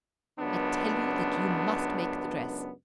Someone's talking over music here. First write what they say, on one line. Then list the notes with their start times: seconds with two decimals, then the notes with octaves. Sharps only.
I tell you that you must make the dress.
0.39 C#2 F#2 B3 D4